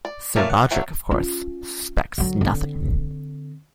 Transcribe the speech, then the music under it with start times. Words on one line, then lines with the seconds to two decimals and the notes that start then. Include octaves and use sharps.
Sir Roderick, of course, suspects nothing.
0.05 D5
0.36 A#2 A3 C#4 A#4 F5
0.50 F#5
0.71 F#3 A3 D4
1.11 C#4 F4
2.18 D3 F#3
2.41 D3 C4